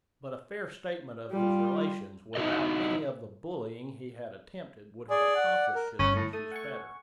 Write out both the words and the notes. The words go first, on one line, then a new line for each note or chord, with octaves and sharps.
But a fair statement of his relations, without any of the bullying he had attempted, would have accomplished his wishes better.
G3 F4
D#4 E4 F#4 A4 D#5
G#4 D5
F#5
A#4
G1 C#4
A2
A3 D#6
F#5 G#5 C#6